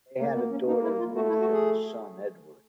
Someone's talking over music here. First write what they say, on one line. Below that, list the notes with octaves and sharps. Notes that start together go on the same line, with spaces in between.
They had a daughter, Ruth, and a son, Edward.
A3 A#3
B3
C#4
A#3 D#4
E4
F4
A3 F#4
E4
F#4
G#4